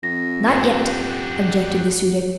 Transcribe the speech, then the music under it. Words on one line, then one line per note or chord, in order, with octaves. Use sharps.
"Not yet," objected the Su-dic.
F2 A#6
F#2 D4 G4 F#5